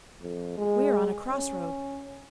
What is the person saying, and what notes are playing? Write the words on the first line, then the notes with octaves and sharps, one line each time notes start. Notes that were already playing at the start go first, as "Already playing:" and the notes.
We are on a cross-road.
F2
G#3
C#4